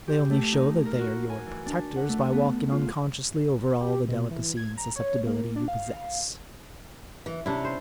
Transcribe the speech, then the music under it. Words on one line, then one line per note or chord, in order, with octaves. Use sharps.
They only show that they are your protectors by walking unconsciously over all the delicacy and susceptibility you possess.
G4
A3
D#4
A#4
F#4
G#5
E3
D4
F#5
A3
B3
F4
G4
B2
E3
G#6
A#5
C#5
A#3
D4
F5
E3
C3 C#4 D4 E4
C5